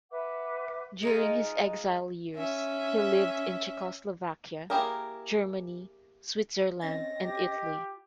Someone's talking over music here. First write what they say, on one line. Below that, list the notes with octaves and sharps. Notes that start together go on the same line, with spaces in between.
During his exile years he lived in Czechoslovakia, Germany, Switzerland and Italy.
B4 E5 F#5 D6
G#3 D#4 F4
C#4 E5
A#3 E4 G4 G#4 A#4
C4 C#4 D#5 A6 A#6
G4
F4